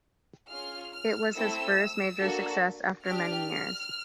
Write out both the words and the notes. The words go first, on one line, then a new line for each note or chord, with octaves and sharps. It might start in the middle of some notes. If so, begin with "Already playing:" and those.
It was his first major success after many years.
C#4 F4 G#4 F6
F6
A3 C4 E4 A4 E6
A#3 D4 F#4 A4
D4 G4 F6